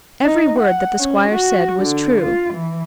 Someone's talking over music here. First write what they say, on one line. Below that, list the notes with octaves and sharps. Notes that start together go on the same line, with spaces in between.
Every word that the squire said was true.
D#4
F#5
C#4
F#4
D3
F4
E3